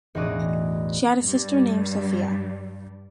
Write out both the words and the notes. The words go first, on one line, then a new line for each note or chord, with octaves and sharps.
She had a sister named Sophia.
E1 A1 D#4 F#4 D5 D#6
G2 G3